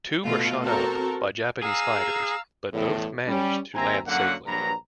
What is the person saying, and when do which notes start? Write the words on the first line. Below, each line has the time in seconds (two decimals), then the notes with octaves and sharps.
Two were shot up by Japanese fighters, but both managed to land safely.
0.24 B2 A3 F4
0.62 C4 F#4 A4 A#4
1.62 G#4 F5 A#5 E6
2.73 E2 A2
3.27 G3 C#4
3.75 D#2 C4 E5 G#5 A#5
4.07 F#2 D3 F#3 A#3 F#5
4.46 A#1 G2 F#3 B4 A#5